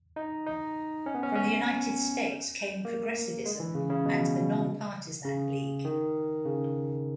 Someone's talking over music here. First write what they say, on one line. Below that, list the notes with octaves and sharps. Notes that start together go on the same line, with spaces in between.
From the United States came Progressivism and the Non-Partisan League.
D#4
D#4
C#4
B3
C#4
C#4
A#3
G#3
E3
C#3
C#3
B2
C#3
D#3
C#3